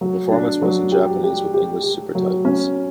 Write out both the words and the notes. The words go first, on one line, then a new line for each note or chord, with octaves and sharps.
The performance was in Japanese with English supertitles.
F#3
D4
F#3
G4
G4
G4
G4
F#3
C#4